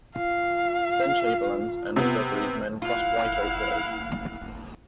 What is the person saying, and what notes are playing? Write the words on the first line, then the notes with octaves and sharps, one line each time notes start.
Then Chamberlain's and Gregory's men crossed White Oak Road.
F4 F5
C3 B3
E4 F4 F5 F#5